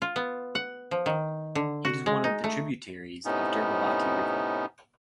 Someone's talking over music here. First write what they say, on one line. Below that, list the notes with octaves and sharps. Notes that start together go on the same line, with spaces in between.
It is one of the tributaries of Durgavati River.
F4
B3
F#5
F3
D#3
D3
F#4
G#3
D#4
A3
A2 C3 B3 C#4 D#4